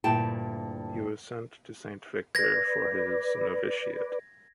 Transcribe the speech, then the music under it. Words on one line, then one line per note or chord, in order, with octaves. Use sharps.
He was sent to Saint Victor for his novitiate.
D2 G2 A#2 E4 G5 A5
B4 D5 G#6 A#6